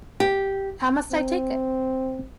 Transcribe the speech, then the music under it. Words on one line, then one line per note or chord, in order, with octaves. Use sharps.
How must I take it?
G4
C4